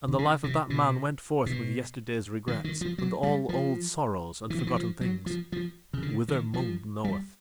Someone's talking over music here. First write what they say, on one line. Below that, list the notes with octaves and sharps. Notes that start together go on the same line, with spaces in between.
And the Life of that man went forth with yesterday's regrets and all old sorrows and forgotten things--whither Mung knoweth.
D3
C#3
C3
B2
B2
D#3
D#3
F3
F#3
G3
F3
E3
D#3
E3
F3
F#3
F3
F3
C#3
D3
D#3
F3
G3